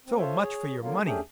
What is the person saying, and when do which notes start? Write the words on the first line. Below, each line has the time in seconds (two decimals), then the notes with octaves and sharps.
So much for your money!
0.06 C4
0.18 F4 A4 C5 C#5 E5
0.38 G#4 C#5
0.81 D3 F#3 A#3 F4
1.04 A3 C#4 D4 G4 G#4